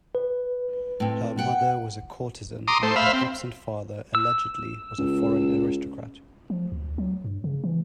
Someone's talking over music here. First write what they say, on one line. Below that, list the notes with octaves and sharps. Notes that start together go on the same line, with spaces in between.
Her mother was a courtesan and her absent father, allegedly, was a foreign aristocrat.
B4
A2 C4
B3 F#5 G5
A#5 C6 D6 D#6
A3 C5
C5 E5 F5 B5
C4
E6
C#2
F3
D2
F#3
G2
C#3
E3